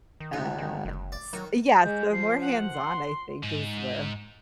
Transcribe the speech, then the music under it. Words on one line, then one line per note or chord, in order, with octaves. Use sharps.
uh, s yeah, so more hands-on, I think, is the
D#3
D2 G#2 D#4
D#3
F#1
D5
D#3 F#3
G#3 G6
F3 C7
F#5
C6
G#2